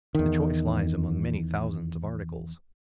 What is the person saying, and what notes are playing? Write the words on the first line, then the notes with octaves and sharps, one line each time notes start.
The choice lies among many thousands of articles.
E2 D#3